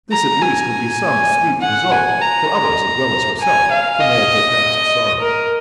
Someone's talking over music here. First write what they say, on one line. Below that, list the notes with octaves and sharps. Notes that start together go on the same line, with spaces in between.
This at least would be some sweet result, for others as well as herself, from all her past sorrow.
A#5
G#5
F#5
G#5
A#5
G#5
F5
D#5
A#4